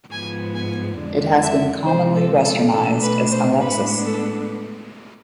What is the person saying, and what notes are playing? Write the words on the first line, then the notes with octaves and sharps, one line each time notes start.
It has been commonly westernized as Alexis.
G#2 F3 B3 G#5
G#5
F2 D3 G#3 D4
E5
C3 F3 G#3 C5
A4
A4
B2 A3 D4 A4
B4
C5
A2 G#3 B3 D4 B4
A4